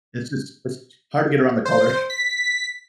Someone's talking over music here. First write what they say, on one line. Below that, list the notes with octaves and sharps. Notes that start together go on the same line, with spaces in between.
It's just it's hard to get around the color.
C5
B6